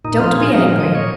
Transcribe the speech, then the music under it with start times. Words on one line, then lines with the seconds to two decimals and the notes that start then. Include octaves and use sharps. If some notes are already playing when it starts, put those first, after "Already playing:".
Don't be angry.
0.05 A#2 D#4
0.20 F3 F4
0.35 A#2 G#4
0.50 F3 A#4
0.65 A#2
0.80 F3 D#5
0.95 A#2 C#5